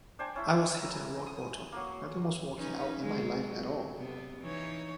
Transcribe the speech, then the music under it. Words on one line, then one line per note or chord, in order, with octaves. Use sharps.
I was hitting rock bottom, nothing was working out in my life at all.
D4 C5 G5 G#5
C#4 E4
A#5
D#6
F#3 A#3
C#4 D#4 B4
F#3 G#3
F#3
C3 B3
E3 D#4 C#5